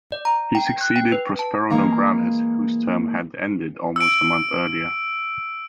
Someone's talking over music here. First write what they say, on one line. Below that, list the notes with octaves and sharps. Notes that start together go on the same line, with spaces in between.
He succeeded Prospero Nograles, whose term had ended almost a month earlier.
D5
A#5
G5
G5
F#6
G5
B4
A5
E3 G#3 A#3 F5 A#5
E6 D7